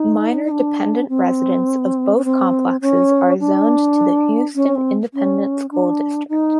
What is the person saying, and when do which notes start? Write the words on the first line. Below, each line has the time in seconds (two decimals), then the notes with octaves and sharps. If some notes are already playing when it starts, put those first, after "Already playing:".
Minor dependent residents of both complexes are zoned to the Houston Independent School District.
Already playing: D#4
0.45 D#4
0.51 D4
1.09 C4
2.17 C#4
2.25 C4
2.81 C#4
3.40 D4
4.55 C#4
4.75 C4
5.14 C#4
5.71 D4
6.29 D#4